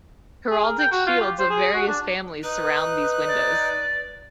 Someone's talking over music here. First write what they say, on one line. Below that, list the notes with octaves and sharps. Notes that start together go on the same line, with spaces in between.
Heraldic shields of various families surround these windows.
G#4
A#4
G5
F#4
F4
G4
C5
G#4
F#4
D4
D#4 B4 F#6
D5